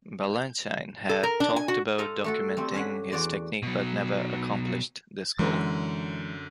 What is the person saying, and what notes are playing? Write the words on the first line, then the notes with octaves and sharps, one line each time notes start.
Balanchine had talked about documenting his technique but never accomplished this goal.
A4
A#4
D4
G#5
F#4
A4 C5 D#5 F5 A#5
A3 F#4 A4
G3 A3 C4
C#4 D4 C#5 F#5
E2 F#4 D5 C6
B2 F#3
F#2 D3 E3 G#3